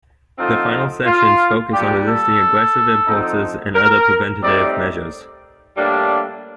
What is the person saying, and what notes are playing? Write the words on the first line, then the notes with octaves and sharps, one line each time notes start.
The final sessions focus on resisting aggressive impulses and other preventative measures.
D3 F3 C4 D#4 F4
F4
A#2 G3 D4 G4
A4
D3 F3 C4 D#4
A#4
A2 G3 C4 D#4 D5
A2 G3 A#3 D4